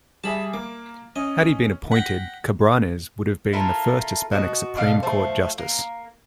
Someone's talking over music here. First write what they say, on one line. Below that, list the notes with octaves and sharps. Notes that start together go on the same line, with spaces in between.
Had he been appointed, Cabranes would have been the first Hispanic Supreme Court justice.
G3 G#4 E5 A5 B5
A#3 D6
C#4 D#5
F#5 G5 A#6 B6
E4 F4 A4 A#4
B2 F#4 A4 D#5
B2 D3 F5
F3 A3 C5
A#3